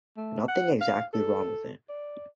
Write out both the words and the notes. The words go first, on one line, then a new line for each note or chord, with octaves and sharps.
Nothing exactly wrong with it.
A3
F#5
F5
A4
D5